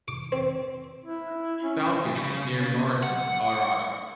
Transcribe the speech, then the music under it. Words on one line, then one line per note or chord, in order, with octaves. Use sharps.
Falcon, near Morrison, Colorado.
D6
C4
E4
C#4
C#3
F#5